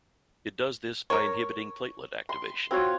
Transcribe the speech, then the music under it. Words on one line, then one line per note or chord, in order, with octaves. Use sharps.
It does this by inhibiting platelet activation.
A#4 C#5
C6
C4 F4 F#4 C#5